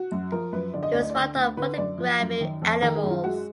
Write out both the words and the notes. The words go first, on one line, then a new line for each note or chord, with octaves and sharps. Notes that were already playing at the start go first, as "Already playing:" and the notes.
He was fond of photographing animals.
Already playing: F#4
F#2
F3 A#4
F#2 B4
D3 D5
D#5
D2 D5
D#5
D5
D3
D2
D3 B4
F#2 D5
F3
F#2
D#3
F2
D#3 A#4
G#4
F#2
F4
G#3 F#4